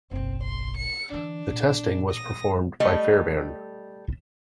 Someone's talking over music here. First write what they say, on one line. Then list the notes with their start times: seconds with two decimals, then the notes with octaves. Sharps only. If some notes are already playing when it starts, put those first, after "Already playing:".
The testing was performed by Fairbairn.
0.11 F#1 B1 C4
0.42 C6
0.76 C#7
1.12 D3 E3 D4
1.47 A1 A#2
2.10 D#6 A#6
2.80 G3 A3 D#5